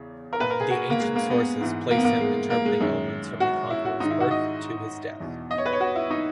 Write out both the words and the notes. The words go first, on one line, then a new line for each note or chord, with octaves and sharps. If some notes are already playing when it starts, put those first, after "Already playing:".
The ancient sources place him interpreting omens from the conqueror's birth to his death.
Already playing: E2 C#3
A#4
A#2 B4
A#4
G#4
F#4
A#3
G#3
A#3
B3
G#2 E3
A#3
B3
A#3
G#3
A#3
G#3
F#2 D#3 G#3
F#4
E4
F#4
G#2 D#3 D#4
E4
F#4
D#5
E2 B2
D#5
C#5
B4
C#5
F#4
E4
D#4